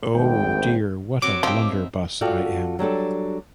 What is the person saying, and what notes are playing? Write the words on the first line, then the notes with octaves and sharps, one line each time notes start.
Oh, dear, what a blunderbuss I am!
G#1 D2 G5
F#3 C4 D6
F3 C4 D#4 E4 G4
F4 F#4 A4 D5 F#5 G5
F#3 G3 D4 A4